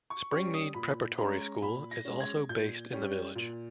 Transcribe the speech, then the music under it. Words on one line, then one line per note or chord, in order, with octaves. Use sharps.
Springmead Preparatory School is also based in the village.
C#6
G3 C#4 C#6
D#6
A#2 B5
G#3 C#4 A#5
A#2 B5
A#6
G#3 C#4
G#6
A#2 G6
G3 C#4
A#2